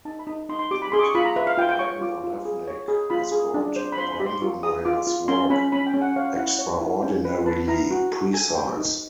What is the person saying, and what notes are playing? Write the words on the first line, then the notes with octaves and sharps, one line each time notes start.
Critic Brian Olewnick has called Brandlmayr's work "extraordinarily precise".
D#4 A5
B5
D#4
D#4 C6
C6
G4 D6
B5
G#4 C6
D6
C#6
F4 B5
A#5
B4 E5
F5
F4 G5
G5
C#5 C#6
F4 D6
F4
G#4
C#5
G#4
F4 B5
G#4
D4
C5
B5
C5 C6
B5
G4
C6
F4 C#6
G#4 D#6
F4 D6
F4
C#4 C6
C#4 B5
C#4 B5
G5
C#4
F#5
C#5 F5
E4 F#5
C#5
E4
C#4 G5
B4
B4 A5
E4 A#5
F#4
A4
A4 G#5
C5 G5
D#4